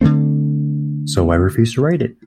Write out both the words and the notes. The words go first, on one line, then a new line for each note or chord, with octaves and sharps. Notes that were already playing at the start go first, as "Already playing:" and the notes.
So I refused to write it.
D3 F#3 A3 C4